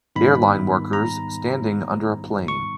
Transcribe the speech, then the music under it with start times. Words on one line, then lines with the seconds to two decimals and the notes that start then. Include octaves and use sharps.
Airline workers standing under a plane.
0.16 G#2 D#3 G3 B3 D#4 B5
0.93 A#5
2.48 C#6